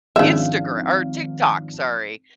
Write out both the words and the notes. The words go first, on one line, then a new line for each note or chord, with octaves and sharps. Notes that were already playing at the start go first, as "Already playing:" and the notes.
Instagr or TikTok, sorry,
G#1 C#3 F3 D4 E5 F5